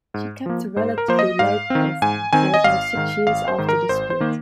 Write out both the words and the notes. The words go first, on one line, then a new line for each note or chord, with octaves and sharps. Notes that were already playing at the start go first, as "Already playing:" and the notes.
She kept a relatively low profile for about six years after the split.
G#2
F3 A#3
G#2 C5
A#4
F3 A#3 C5
D#5
G#2 F5
D#3 C4
G#2 G#5
D#3 C4 G#5
D#5
G#1 F5
G#2 D#3
G#1 F5
C5
G#2 D#3
A#4
G#1 C5
C5
D#3 A#3